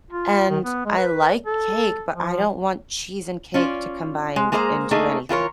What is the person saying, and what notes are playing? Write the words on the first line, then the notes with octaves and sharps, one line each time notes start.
and I like cake, but I don't want cheese and cake to combine into anything.
F4
D#3
B3
G#3
B4
A4
F3
C#4 F4 D5
G#3
G#3 A#3 G#4 C5 D5 A#5
A3 A#3 D#4 G#4
E3 F4 A#4 C#5